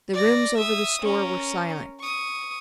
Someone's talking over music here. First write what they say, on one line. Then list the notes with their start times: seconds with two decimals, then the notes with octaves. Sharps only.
The rooms over the store were silent.
0.14 D5 A#6
0.58 E5 D#6
1.02 C#4 A#4
2.00 C#6 D#6